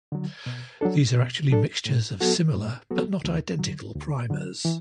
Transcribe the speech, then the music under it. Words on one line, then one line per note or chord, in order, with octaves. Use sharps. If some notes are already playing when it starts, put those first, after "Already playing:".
These are actually mixtures of similar, but not identical primers.
D3 F#3
B2
F#3 D4 A4
B2
F#3 D4 A4
A2
F#3 B3 F#4 A4
A2
F#3 B3 F#4 A4
D2
D3 F#3
D2
D3 F#3
E3